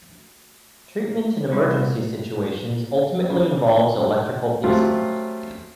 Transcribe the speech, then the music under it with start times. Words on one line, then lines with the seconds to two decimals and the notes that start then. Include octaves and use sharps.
Treatment in emergency situations ultimately involves electrical pacing.
1.52 C2
3.30 C#3
4.64 F#3 G3 A3 C4 C#4 F4